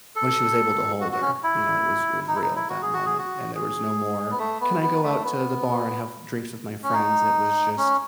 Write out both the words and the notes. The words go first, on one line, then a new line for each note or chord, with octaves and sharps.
When she was able to hold her, you know, it was it was real at that moment. And there was no more, “Can I go out to the bar and have drinks with my friends?" It was just,
A4
F#4
F#4
C#4
E4
D#4
E4
D#4
E4
F#4
G#4
F#4
G#4
F#4
G#4
B3
A3
B3
B3
A3
B3
C#4
D#4
C#4